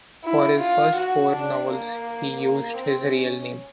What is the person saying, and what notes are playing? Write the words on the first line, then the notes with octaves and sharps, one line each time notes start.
For his first four novels, he used his real name.
E4
F4
F#4
D4
A#3
A#3
C4
C#4